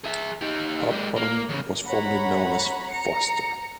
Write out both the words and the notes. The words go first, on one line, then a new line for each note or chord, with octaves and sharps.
Hop Bottom was formerly known as Foster.
G#4 E5
D#4 G4
G#3 G4
A#3
E2 C#3
C#5 F#5 A#5 B5
A#5 C#7